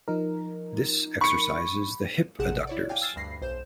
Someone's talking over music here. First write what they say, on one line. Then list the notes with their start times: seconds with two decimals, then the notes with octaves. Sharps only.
This exercises the hip adductors.
0.08 F3 D#4 A#4
1.21 B5 C#6 C#7
2.39 A1 C3 G#4 F#5 E7
2.67 E4 C#5 D5
2.89 F5 G5 G#5 D6
3.02 E6 F6 G#6 A6 C7 E7
3.16 D2 G2 B5 A#6 C7
3.42 B1 C5 G6 E7